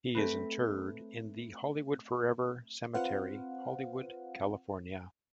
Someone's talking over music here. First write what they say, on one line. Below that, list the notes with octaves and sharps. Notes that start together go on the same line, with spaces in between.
He is interred in the Hollywood Forever Cemetery, Hollywood, California.
A3 C4 B4
C4 F4 B4 C5 F5 F#5